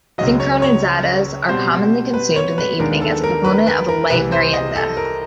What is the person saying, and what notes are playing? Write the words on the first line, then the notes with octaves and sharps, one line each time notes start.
Sincronizadas are commonly consumed in the evening, as a component of a light Merienda.
C#2 C#3 F#3 D#5
C#5
C#5
B2 G3 C4 C5
B4
C#5
B4
D#2 D#3 G#3 B3 D4 A#4
A4
A#4
B4
B4
A#4
C2 C3 E3 B4
C5
D#5
A4
A#4